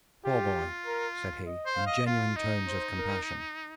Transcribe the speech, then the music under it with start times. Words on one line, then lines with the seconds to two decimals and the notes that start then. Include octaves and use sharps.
"Poor boy!" said he, in genuine tones of compassion.
0.25 F4 G4
0.86 A#4
1.46 D#5
1.66 C5
1.76 F5
1.87 D#5
2.06 F4 F5
2.36 D#4 D#5
2.67 C5
2.98 A#4